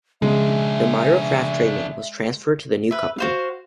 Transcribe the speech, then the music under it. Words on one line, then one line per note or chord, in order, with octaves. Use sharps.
The MirroCraft tradename was transferred to the new company.
C#3 G#3 D4 G#4 E5
B4 E5
F#4 C5 F5